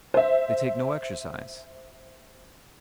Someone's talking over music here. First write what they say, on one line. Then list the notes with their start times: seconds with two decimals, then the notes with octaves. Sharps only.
They take no exercise.
0.14 C5 E5